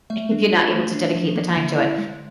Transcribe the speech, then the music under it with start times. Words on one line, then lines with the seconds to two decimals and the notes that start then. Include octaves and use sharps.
if if you're not able to dedicate the time to it?
0.10 A3 E5
0.31 D4
0.52 F4
0.73 A3
0.94 D4
1.15 F3
1.36 A#3
1.57 D3
1.77 E4
1.98 G#3